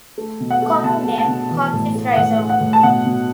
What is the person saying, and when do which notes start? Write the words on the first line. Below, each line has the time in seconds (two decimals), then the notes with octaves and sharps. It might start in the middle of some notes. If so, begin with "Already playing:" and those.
Common Name: Coptis Rhizome.
0.18 A3
0.40 B2
0.51 F#5
0.62 A3
0.84 B2 A5
1.07 A3
1.18 A5
1.28 B2
1.51 E3
1.73 A2
1.95 A3
2.16 A2 F#5
2.39 A3
2.50 F#5
2.61 A2
2.73 A5
2.83 B2 F#5
3.06 B2